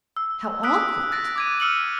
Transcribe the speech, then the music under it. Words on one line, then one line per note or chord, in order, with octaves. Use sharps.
'How awkward.
E6
D#6 E6 F#6 B6 D7
F#6 A6 A#6 D7
D6 G#6 D#7
E6 F6 C#7 D#7 F#7